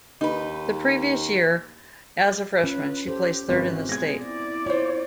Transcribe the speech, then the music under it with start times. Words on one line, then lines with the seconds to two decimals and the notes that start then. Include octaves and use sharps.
The previous year as a freshman she placed third in the state.
0.21 D#2 D#4 B4
2.63 C#4 F4 B4
3.07 G4 A4 C5
3.49 G#1 C4 C#4 F4 G4 B4
3.89 G#3 B3 G#6 A#6
4.22 E4 D5
4.66 F4 C5 C#5